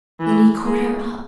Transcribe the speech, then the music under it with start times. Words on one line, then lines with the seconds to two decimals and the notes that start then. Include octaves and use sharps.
Then he caught her up.
0.20 E3
0.65 G#3